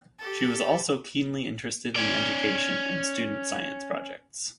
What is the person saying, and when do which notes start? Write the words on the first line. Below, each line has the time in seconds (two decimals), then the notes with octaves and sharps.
She was also keenly interested in education and student science projects.
0.18 G4 A4 A6
1.96 C#4 D5